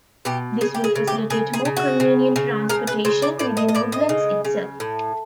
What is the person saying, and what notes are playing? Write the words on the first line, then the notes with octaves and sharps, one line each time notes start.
This will facilitate more convenient transportation within Woodlands itself.
B2 G4
C#3 G#4
G4
G#4
C#3
G4
C#3 G#4
G#4
C#3
F#4
C#3
C#3
C#3 A#4
B4
C#3 C5
D5
A2 D5
D#5
D#5
A2 D5
D#5
C#3
C#3
A2